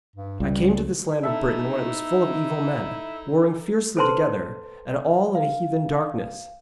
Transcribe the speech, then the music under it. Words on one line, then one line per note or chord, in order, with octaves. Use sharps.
I came to this land of Britain when it was full of evil men, warring fiercely together, and all in heathen darkness.
G2
C#2 G3
D#4 E4 A4 E5
A4 B4 C5 G#5 A5 C6
F5